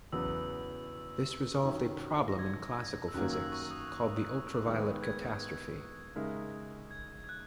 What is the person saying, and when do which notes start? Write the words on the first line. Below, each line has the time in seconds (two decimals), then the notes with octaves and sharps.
This resolved a problem in classical physics, called the ultraviolet catastrophe.
0.12 E2 C#3 F#3 B3 E6
1.63 F#2 D#3 F#3 C#4
2.28 A#6
2.39 G#6
3.08 E6
3.14 F#2 D#3 F#3 A#3 F#6
3.33 E6
3.52 C#6
3.71 D#6
3.89 F#6
4.65 D#3 G#3 B3
5.03 G#6
6.15 C#3 G#3 D#4 A#4 E5
6.91 G#6
7.24 G#6
7.29 F#6